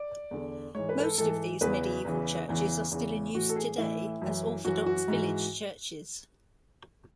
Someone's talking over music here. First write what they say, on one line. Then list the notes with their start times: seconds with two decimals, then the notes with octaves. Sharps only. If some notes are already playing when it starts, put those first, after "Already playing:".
Most of these mediaeval churches are still in use today as Orthodox village churches.
Already playing: D5
0.31 E2 D3
0.75 G#2 E3 C#5
0.89 B4
0.99 B4
1.04 A4
1.18 G#2 A4
1.21 E3
1.29 A4
1.61 E2 C#3 E3 B4
2.05 E2 C#3 E3
2.49 E2 C#3 E3
2.91 E2 C#3 E3
3.35 A2 E3 F#4
3.49 A4
3.56 G#4
3.78 A2 E3 E4
4.22 F#2 E3
4.65 F#2 E3 F#4
4.86 F#4
5.08 G#2 E3